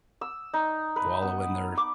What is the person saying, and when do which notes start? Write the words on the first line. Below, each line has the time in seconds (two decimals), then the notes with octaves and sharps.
wallow in their
0.21 E6
0.54 D#4
0.96 B4
1.22 B3
1.77 D6